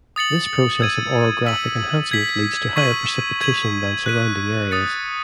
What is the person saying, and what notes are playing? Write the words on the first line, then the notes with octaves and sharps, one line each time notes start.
This process of orographic enhancement leads to higher precipitation than surrounding areas.
D#6 A6 C#7 F#7
E6 G#6 D#7
E6 B6 D#7 F#7
G#6 B6 F#7
C#6 G#6 B6 D#7 F#7
G#6 D#7 F#7
F#6 B6 D#7
D#6 A6 C#7